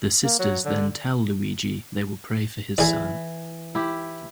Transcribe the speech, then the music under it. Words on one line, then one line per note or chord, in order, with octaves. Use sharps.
The sisters then tell Luigi they will pray for his son.
A#3
F#3
D3
E3 G#4 D5
E4 G4